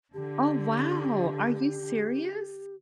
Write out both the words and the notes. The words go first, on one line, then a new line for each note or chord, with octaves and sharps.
Oh wow! Are you serious?
D3 G4